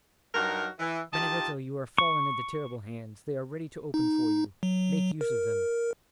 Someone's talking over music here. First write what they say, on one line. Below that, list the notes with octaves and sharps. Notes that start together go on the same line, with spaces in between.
Benedetto, you are fallen into terrible hands; they are ready to open for you--make use of them.
G2 F#3 D#4 F#4 A#4 F5
E3
D#3 F4 G4 D#5 A5
C#6
D#4
F#3
A#4